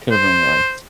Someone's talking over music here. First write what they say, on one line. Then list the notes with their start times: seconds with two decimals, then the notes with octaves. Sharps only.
could have been worse.
0.11 C5